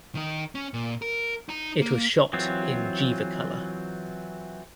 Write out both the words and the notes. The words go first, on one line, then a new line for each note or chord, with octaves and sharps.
It was shot in Gevacolor.
D#3 D#4
C#4
A#2
A#4
D#4 A#5
A#3
E3 F#3 C4 F4